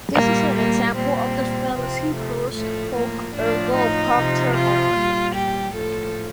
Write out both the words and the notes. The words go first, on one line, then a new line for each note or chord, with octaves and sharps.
This is an example of the fallacy post hoc ergo propter hoc.
A#2 G3 A#3
A#3
A#2 G3 C4
C3 F3 C4
A3
A2 F3 A3
A#3
A2 F3 D4
D#4
C3 F3
F4
A#2 G3
G4
A2 F3 A4